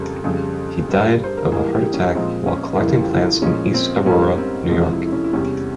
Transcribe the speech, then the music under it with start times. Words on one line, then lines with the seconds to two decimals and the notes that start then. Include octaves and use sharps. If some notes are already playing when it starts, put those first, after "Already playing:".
He died of a heart attack while collecting plants in East Aurora, New York.
Already playing: F2 C#3 G3 A#3
0.24 F2 C#3 G3 G#4
0.88 G2 G3 A#3
1.24 C5
1.37 A#4
1.52 G#2 E3 G3 A#3 G#4
1.73 G4
1.94 C#4
2.15 A#2 F3 G#3 C4
2.47 C#4
2.78 F2 C#3 E3 G3 A#3 E4
2.91 F4
3.00 G4
3.13 E4
3.21 F4
3.42 A#2 F3 G#3 C#4
3.74 C4
4.06 G#2 G3 A#3 C#4
4.38 C4
4.69 F2 C3 F3 G#3 C4
4.91 E4
5.05 E4
5.12 C#4
5.24 E4
5.33 E2 C3 G3 C#4